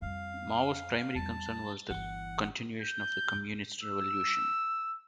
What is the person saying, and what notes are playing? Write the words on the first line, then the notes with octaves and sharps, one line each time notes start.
Mao's primary concern was the continuation of the communist revolution.
F2 G3 F5
E2 G3 A5
G1 E3 F#5
G6
E6